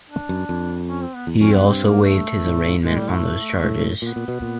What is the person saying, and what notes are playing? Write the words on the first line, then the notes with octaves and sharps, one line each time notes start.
He also waived his arraignment on those charges.
D4
F#2
F2
C#4
C4
B3
E2
F2 C#4
F#2 B3
G2 C4
A#3
A3
A2
A2 G#3
G3
A3
A2
A#2 B3
A#2
B2
A#2